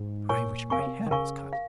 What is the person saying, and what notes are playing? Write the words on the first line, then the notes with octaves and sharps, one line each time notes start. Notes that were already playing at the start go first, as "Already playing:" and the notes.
I wish my hair was cut!
Already playing: G#2
A#2 A#4 C#5 G#5 C#6
C3 A#4 F5 G#5 C#6
C#3
C3
D#3
C#3 A#4 F5 G#5 C#6
F5